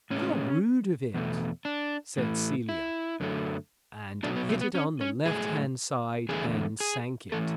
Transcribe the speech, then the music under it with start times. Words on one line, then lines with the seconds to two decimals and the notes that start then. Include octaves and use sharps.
"How rude of it," said Celia, and hit it on the left-hand side, and sank it.
0.10 A2 G#3 C#4
1.14 E2 B2 A3
1.65 D4
2.17 A2 E3 A3
2.69 E4
3.20 F#2 D3 F#3 A3
4.23 B2 F#3 A3 D4
4.36 B3
4.49 A3
4.61 B3
4.75 C#4
5.01 C#4
5.26 A2 F#3 A3 G#4
6.29 E2 D3 A3 G#4
6.80 G#4
7.32 E3 A3 A4